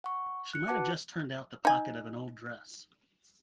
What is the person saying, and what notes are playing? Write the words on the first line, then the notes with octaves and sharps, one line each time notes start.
She might have just turned out the pocket of an old dress.
F#5 C#6
F#6 C#7
F#4 B4 F#5 A5 D6
D#4 G#5